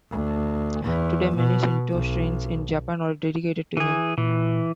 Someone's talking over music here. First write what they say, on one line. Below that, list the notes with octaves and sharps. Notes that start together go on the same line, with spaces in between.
Today many Shinto shrines in Japan are dedicated to him.
D2
E2
B2
B1
E3 G#4
A#2 E3